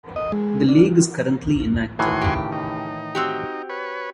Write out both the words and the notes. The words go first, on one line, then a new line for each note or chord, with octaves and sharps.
The league is currently inactive.
D#5
G#3
D4
A2 D#3 E3 F#4 G#5 C6
C#3 G4
D#4
C4 F#4 G4
B4 C#5